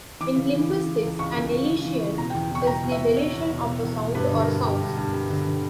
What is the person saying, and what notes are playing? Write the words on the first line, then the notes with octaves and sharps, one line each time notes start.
In linguistics, an elision is the deletion of a sound or sounds.
E3 D6
C#3
E3
C#3
E3
C#2
C#2 C#6
C#2
C#2
C#3
E3
C#3
B2 A#5
G5
E2
E2 C#6
G5
B2 A#5
B2
E5
B2
B2 C#5
E2
B2
B2
E2
B2
G2 B4
D3
A#4
G2
G2 G4
G2
G2
G2
D3
D3